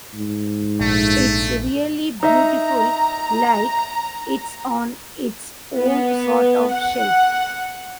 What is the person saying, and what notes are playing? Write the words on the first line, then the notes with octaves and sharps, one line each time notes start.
It's really beautiful, like it's on its own sort of shelf.
G#2
A#1 A3
D#4 E5 A#5
B3
F#5